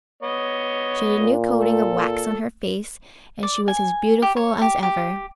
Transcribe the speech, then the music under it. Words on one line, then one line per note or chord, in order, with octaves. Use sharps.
She had a new coating of wax on her face and she was as beautiful as ever.
B3 C#5 D#5
A#2
A4
D5
G#5
G4
C#5
G4
G4